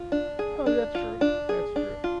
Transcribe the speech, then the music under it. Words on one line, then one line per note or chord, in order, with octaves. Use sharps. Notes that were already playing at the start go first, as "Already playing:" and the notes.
Oh, that's true, that's true.
Already playing: F4
D4
G#4
D4
F4
D4
G#4
D4
F4